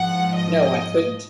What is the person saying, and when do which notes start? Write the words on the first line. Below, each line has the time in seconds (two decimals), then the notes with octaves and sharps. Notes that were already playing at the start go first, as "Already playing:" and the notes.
No, I couldn't.
Already playing: G#2 F3 F#5
0.36 D#5